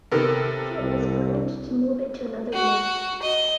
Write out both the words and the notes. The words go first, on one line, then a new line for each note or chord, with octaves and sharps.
In the future it is planned to move it to another room.
C3 D#3 B3 A4 A#4
C2
F#4
D#5